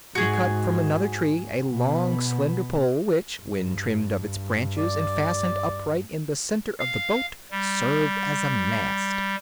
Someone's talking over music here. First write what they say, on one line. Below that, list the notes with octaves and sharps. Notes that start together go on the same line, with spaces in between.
He cut from another tree a long, slender pole which, when trimmed of its branches and fastened upright in the center of the boat, served as a mast.
G#2 F#4 G#4
B2 B3
G2
D5
F5
G3